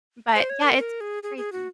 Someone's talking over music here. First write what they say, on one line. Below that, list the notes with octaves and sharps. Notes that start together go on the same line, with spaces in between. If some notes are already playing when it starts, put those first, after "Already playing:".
But, yeah, it's crazy.
C5
C#5
A#4
A#4
G#4
G#4
G#4
F#4